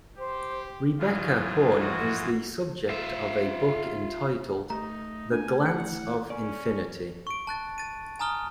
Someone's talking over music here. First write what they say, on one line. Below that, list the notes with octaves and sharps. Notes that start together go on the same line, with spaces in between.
Rebecca Horn is the subject of a book entitled "The Glance of Infinity".
G4 C5
G#2 E3 F#3 F4
F2 F#4
F4 E5
A3 D#4 A#5
D4 G#5
E3 F#5 C#7
C#4 D5 G#5
C#6 D7
A5 F#6 A6
A6 D#7
G#5 A#5 D#6 F6 G7